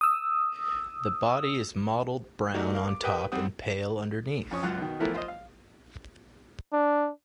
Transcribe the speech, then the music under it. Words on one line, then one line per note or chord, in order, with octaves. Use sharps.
The body is mottled brown on top and pale underneath.
D#6 E6
A3 D#4 F#4 G4 D5
A#4 F5
D6
G4 A#4 B4 F#5 G5 D#6
G#2 G3 C4 C5 F#5 D#6
F2 C#4 C#6 D#6
C#2 F#2 F4 F#5
B2 D#3
E3 F3 A3 B3 E4 A#4
F4 C5 D#5
F5
D4